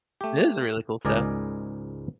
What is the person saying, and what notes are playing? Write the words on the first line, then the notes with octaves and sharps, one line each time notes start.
This is really cool stuff.
A3 G4
C#2 G#2 A#4 D5 D#5 G#5